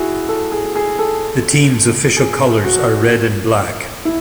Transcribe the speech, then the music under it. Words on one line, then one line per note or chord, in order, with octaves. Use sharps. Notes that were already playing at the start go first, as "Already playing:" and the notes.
The team's official colors are red and black.
Already playing: E4 F#4 G#4
A4
G#4
G#4
A4
G#4
F#4
E4